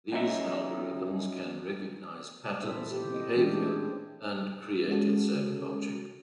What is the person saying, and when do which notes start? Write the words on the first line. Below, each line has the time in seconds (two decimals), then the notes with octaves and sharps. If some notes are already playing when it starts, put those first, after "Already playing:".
These algorithms can recognize patterns in behavior and create its own logic.
0.12 F#2 F#3 D#4 F4 E5
2.63 A#2 E4 A4 C5 E5
2.91 G4
3.10 C4 D#5
3.36 E3 G#3 C#4 D4 G4
3.53 A3 C4 G#4
4.88 G#3 C#4 F#4 A4